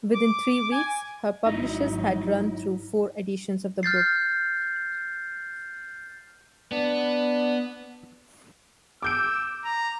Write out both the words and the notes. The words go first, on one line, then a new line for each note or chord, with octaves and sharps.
Within three weeks, her publishers had run through four editions of the book.
D6
G#5
G#1 F#3 D#4 E4
F6 G6 A6 C7
B3 D4
D6 E6 G6 D7
A#5